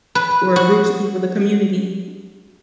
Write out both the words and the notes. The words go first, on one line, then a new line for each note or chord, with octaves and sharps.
where groups of people the community,
B4
F#4